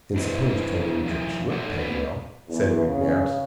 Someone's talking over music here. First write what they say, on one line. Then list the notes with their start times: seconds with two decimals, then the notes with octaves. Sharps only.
"And suppose Toline trips you up, Paganel!" said McNabbs.
0.16 D4 E4 B4 C5 D#5
1.06 F3 D#4 E4
1.52 A3 D#4 A4 C#5 F#5
1.79 A#3 C4 B4 D5
2.49 E2
2.84 C#3